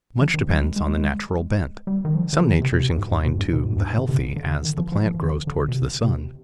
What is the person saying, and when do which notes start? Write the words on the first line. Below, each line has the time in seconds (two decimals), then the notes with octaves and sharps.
Much depends on the natural bent; some natures incline to the healthy as the plant grows toward the sun.
0.21 F3
0.34 D#3
0.49 G3
0.62 G#3
0.76 G#3
1.87 G3
2.05 D#3
2.15 F3
2.33 D3
2.42 D#3
2.61 C3
2.72 B2
2.80 C3
2.98 G#2
3.12 G#2
3.25 B2
3.34 F2
3.39 G2
3.53 B2
3.64 G#2
3.76 G2
3.87 G#2
3.98 D3
4.09 C3
4.36 D3
4.65 D#3
4.78 F3
4.92 F3
5.05 F3
5.20 D#3
5.47 D3
5.68 B2
5.74 C3
6.03 C3